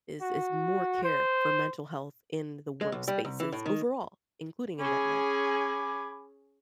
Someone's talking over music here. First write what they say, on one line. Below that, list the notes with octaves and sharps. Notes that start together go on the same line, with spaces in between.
is is more care for mental health in the workspaces overall, including in vet med.
F#4
C5
G#3
B1
G3
C2
E3
A2
D#3
C#4 G#4 G#5 B5 D6